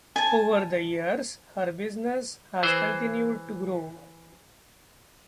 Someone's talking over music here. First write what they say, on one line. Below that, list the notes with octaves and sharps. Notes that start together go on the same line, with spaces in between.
Over the years her business has continued to grow.
G#5 A5
E3 G#4 C5